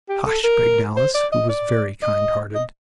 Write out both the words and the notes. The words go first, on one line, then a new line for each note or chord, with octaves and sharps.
"Hush!" begged Alice, who was very kind-hearted.
G4
A4
A#4
C5
D5
D#5
D5
D#5
D#5